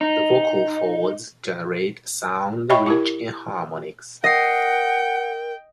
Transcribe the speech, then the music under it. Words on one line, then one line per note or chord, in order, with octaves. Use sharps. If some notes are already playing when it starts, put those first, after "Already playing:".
The vocal folds generate a sound rich in harmonics.
D#4
C#5 D#5 E5 G5 B5 C#6
E4 G4 A#4
A#4 D#5 F#5 G5 C7